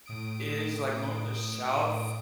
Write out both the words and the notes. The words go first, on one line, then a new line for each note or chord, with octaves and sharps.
is, like north or south.
A2 D#6 D7